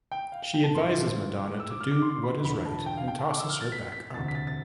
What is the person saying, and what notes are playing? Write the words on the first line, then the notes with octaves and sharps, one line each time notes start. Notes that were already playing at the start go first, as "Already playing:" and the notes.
She advises Madonna to do what is right and tosses her back up.
G5
F5
F5
G5
A5
A1 G2 D3 F3 C6
E6
D6
F6
D6
C6
B5
E1 E2 D3 F3 B5
A5
G5
F5
G5
A5
D6
E6
F6
A6
B6
B6
E1 D2 C3 A6
B6
A6
A6